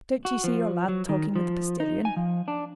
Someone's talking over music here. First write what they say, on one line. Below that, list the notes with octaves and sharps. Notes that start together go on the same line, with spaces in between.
"Don't you see your lad talking with the postilion?"
F#4
F3
F#3
D#3
F3
D#4
G#5
F3
D4